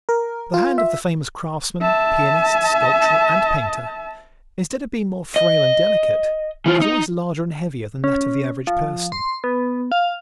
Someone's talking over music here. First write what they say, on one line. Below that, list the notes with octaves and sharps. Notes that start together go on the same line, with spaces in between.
The hand of the famous craftsman, pianist, sculptor and painter, instead of being more frail and delicate, is always larger and heavier than that of the average person.
A#4
F4
E5
E5 A5
D#5
E3 F4
D#4
C#4
F3
C6
B3
F5